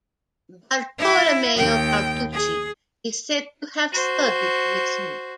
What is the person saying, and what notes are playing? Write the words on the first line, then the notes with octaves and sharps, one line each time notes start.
Bartolomeo Carducci is said to have studied with him.
E4
D#2 G5
G#4
F#4 C5